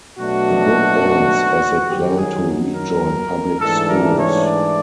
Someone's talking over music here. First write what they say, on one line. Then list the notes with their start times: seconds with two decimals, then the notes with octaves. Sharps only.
The book ends as they plan to rejoin public schools.
0.18 B2 F#3 A3 D4 F#4
1.90 F#2 D#3 F#3 G4
2.18 G#4
2.75 A#4
3.61 G#2 E3 A3 D4 A4
3.89 A#4
4.18 C#5
4.47 D5